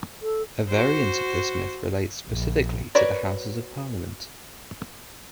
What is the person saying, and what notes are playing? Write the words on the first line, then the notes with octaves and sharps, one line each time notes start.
A variant of this myth relates specifically to the Houses of Parliament.
A4
F#4 C5
A#1
F#4 A#4 B4 C#5 D5